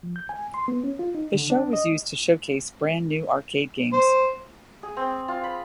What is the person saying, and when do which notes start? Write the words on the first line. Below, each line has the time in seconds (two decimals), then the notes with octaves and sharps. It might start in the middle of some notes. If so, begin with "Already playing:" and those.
The show was used to showcase brand new arcade games.
0.03 F3
0.16 G6
0.29 G#5
0.54 C6
0.68 B3
0.84 C#4
0.99 F4
1.15 D#4
1.34 D3
1.50 D4
1.73 D#5
3.93 C5
4.83 G#4
4.97 C4
5.28 F4
5.43 B5